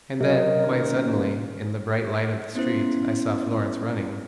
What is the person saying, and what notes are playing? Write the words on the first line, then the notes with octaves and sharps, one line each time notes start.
And then, quite suddenly, in the bright light of the street, I saw Florence running.
C3 F#3 A#4 D#5
D#2 A#2 C#4
B3 C#4 E4 C5